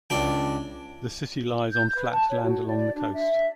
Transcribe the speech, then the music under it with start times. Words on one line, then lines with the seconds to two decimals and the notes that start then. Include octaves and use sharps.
The city lies on flat land along the coast.
0.10 C#2 D4 G5
1.72 G6
1.95 B4
2.14 A5
2.29 C#5
2.43 F#4
2.67 D5
2.96 D4
3.15 E5